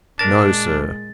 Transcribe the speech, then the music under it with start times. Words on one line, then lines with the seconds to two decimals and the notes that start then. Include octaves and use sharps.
No, sir!
0.19 A#2 G#3 D4 A#4 A5 A6